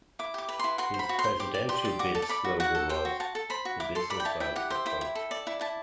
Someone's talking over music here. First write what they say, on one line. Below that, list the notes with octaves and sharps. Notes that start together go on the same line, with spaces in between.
His presidential bid slogan was "The Businessman's Approach".
E4 D6
G4 D6
B4
E4 C6
F#4 C6
C5
B5
F#4
C6
C5
G4 D6
D5
G4 C6
D5
F#4 D6
A4
A5
D5 B5
F#4
F#4 F#5
A4
C5 G5
F#4
F#4 A5
A4
C5 B5
F#4
E4 D6
A4 C6
D5 B5
G5
E4 A5
E4 G5
G4 F#5
C5 E5
E4 G5
E4
A4
D5
E4
E4 A5